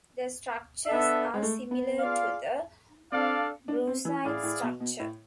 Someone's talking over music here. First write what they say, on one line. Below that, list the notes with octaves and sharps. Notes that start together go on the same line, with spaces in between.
The structures are similar to the brucite structure.
B3 D4 A4 E5
G#3
A3
B3
F4 G#4 D5 F5
C4 D4 A4 D5 F5
D4
C4
E3
A2 E4 G#4 D5 F5
A2
B2
B2
A2